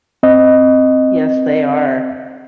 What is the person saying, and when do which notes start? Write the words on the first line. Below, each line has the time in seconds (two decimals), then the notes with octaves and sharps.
Yes, they are.
0.23 C4 D#5